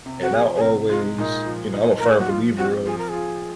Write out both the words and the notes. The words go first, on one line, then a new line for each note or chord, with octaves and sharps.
and I always you know, I'm a firm believer of,
C3
F#4
F3 G#4
G#4
C3 A#4
G#3 F4
A#2 D#4
F3
D#4
A#3 A#4
G#4
F#4
F3 F4
C4 F#4
F3 G#4
A#4
F4 G#4